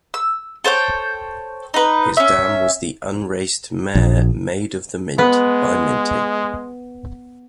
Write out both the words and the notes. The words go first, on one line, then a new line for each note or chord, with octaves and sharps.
His dam was the unraced mare Maid of the Mint, by Minting.
E6
A4 C5 C#5 G5
D#4 B4
C#4 E5
A#1
G#3 B3 B4